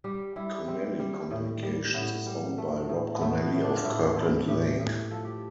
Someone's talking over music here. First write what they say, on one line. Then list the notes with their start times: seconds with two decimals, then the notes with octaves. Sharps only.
Connelly Communications is owned by Rob Connelly of Kirkland Lake.
0.04 G3 G4
0.36 G3 E4
0.68 G3 C4
0.99 G3
1.31 A2
1.63 G3
1.94 A2 B3
2.27 G3
2.58 A3
2.89 A2
3.16 B3
3.21 A2 A3
3.42 B3
3.53 A2
3.63 D4
3.75 F4
3.84 A2 E4
4.16 A3 E4
4.48 A2 G4
4.80 A2
5.11 F3 A4
5.25 G4